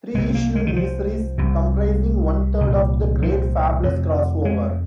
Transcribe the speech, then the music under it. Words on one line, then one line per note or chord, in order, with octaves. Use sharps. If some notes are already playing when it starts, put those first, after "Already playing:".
Three issue miniseries comprising one third of "The Great Fables Crossover".
C2 C3 G#3
C4
A#3
G#3
D#3
F3
C2 C3
C2 A#2
F3
F2 C3
G#3